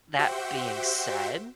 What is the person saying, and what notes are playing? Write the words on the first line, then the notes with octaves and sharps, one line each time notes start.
That being said,
F#4 G4 C5 E5 F#5 G5